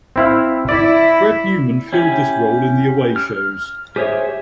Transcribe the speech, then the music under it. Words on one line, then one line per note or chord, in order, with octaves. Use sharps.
Fred Newman filled this role in the away shows.
C4 E4 F5
E4 D5
C#4 E4 G4 G#5
F6
G4 G#4 C5 C#5 E5